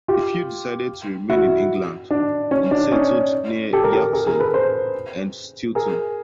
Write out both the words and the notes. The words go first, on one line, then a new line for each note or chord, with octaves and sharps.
A few decided to remain in England and settled near Yaxley and Stilton.
F4 G4
E4 F#4
D4
C#4
D4
C#4 D#4
G4 A4
A#4
G4 A4
G#4 A#4
G#4 A#4
A4 B4
A#4 C5
G#4 A#4